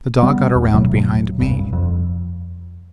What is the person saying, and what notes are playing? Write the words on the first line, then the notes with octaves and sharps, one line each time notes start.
The dog got around behind me.
G3 B3
D#2
D#2 B2 F#3 A3
D#1 C2 G2
F2